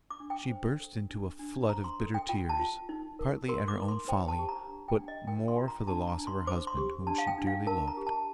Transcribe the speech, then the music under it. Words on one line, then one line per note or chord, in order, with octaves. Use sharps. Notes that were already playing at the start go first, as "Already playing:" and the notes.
She burst into a flood of bitter tears, partly at her own folly, but more for the loss of her husband, whom she dearly loved.
D6
D4
G5
C5
A4
D4
D4
C5 A#5
C6
A4
G5
F4 G5
A5
F4
D#4
A#4
A#4 C6
D6
D#4
C6
C5 G5
A5
G4
A#5
D4
G5
D4
D#5
A#4 G5
C6
F4
A#5
D4 A5
A#5
D4
C6
C5 D6
C6
G4
D4 A5
F5
G5
D4
F5
A#4 A5
A#5
G4
A5